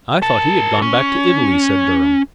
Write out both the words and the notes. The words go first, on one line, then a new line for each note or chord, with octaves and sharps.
"I thought he had gone back to Italy," said Durham.
A#4 A5
C#4